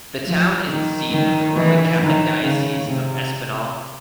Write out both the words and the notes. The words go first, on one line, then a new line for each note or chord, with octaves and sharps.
The town is the seat of the Roman Catholic Diocese of Espinal.
F3
D#3
D#3
E3
D#3
C#3
C3